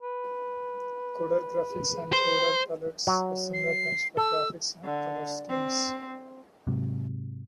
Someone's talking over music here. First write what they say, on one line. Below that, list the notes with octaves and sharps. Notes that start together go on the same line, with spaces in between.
"Coder graphics" and "coder palettes" are similar terms for graphics and color schemes.
B4
C5
F#3
C7
A4 E6
D3
C4
G#2 C3 F#3